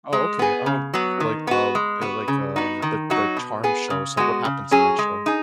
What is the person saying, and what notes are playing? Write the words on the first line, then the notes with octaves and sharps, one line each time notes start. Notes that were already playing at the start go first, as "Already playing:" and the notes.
Oh, okay, um, like, um, uh, like, um, the the charm show, so, like, what happens in that show?
G#3
B3 G#4
C#3
F#3 B3
D#3
B3 F#4
G#3
B3 F#4
C#3
B3 D#4 F#4
D#3
F#3 D#4 F#4
B2
B3 G#4
C#3
G#3 B3 F#4
C#3
F#3 C#4 G#4
G#3
D#4 G#4